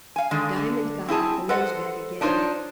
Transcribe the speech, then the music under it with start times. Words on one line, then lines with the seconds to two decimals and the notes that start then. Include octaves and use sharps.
Diamond got out the nose-bag again.
0.16 F5 G#5
0.31 D3 D#3 G#3
0.56 D3
1.08 C4 E4 G#4 A5
1.49 A4 B4 C5 D#5 F#5
2.21 D4 D#4 F4 A#4 C5 C#5